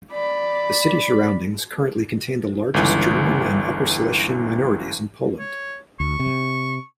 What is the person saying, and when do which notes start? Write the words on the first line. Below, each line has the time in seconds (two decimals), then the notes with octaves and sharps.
The city surroundings currently contain the largest German and Upper Silesian minorities in Poland.
0.12 D5 B5
2.74 G1 C#2 E3
5.39 C#5
6.00 D2 C#6
6.19 C3